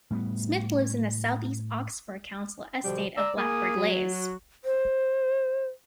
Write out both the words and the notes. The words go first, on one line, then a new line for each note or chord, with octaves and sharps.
Smith lives in the southeast Oxford council estate of Blackbird Leys.
A2 G3 A3 B3
B2 D3 F3 G3
D5 A#5 E6
A#3 G#4 G#5 D#6
F#3
F#4
C5